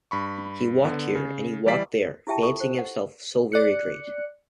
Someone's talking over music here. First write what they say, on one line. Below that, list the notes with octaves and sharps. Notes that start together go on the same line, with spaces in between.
He walked here, and he walked there, fancying himself so very great!
G2 B5 C#6
D3 B3
C#3
E3 G3 E4 D5 B6 C7
E4 F4 G4 E5 G5 A5
F4 A4 C#6
C5
F#5
D5 F#6 C#7